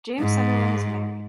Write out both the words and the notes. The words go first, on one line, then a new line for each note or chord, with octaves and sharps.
James Sunderland is married.
G#2